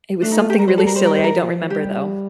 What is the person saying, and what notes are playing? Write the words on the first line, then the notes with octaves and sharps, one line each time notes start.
It was something really silly, I don't remember, though.
A3 D4
D#4
F4
G4
G3 A#4
C5
A4
A#4
C5
A#4
C5
A#4
F3
G3 G4